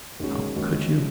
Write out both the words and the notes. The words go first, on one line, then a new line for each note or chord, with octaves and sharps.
How could you?
D#2 D#3 G#3 C#4 F#4
D#2 D#3 G#3 C#4 F#4
F3 G#3 C#4